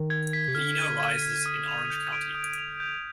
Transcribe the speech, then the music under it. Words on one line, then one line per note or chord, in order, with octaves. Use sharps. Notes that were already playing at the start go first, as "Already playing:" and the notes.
The Eno rises in Orange County.
Already playing: D#3
G#6
B6
C3
D3 F6
D#7
G#6
B6
D#6
F7
G6
D7
D#6
F7
G6